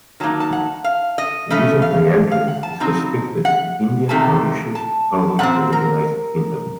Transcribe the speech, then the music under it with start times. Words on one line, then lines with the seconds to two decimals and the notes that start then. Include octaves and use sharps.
The use of dieldrin is restricted in India, Mauritius, Togo, and the United Kingdom.
0.20 D#3 F#3 A#3 D#4 A5
0.40 A5
0.53 F#5
0.84 F5
1.18 D#5
1.50 C#3 A3 C#4 D#5
1.82 F5
2.31 F5
2.48 F#5
2.63 A5
2.80 C#3 F#3 C4 D#4
3.45 F#5
4.09 F2 C3 D#3 A3 A5
4.75 A5
5.39 A#2 F3 C4 F#5
5.73 A#4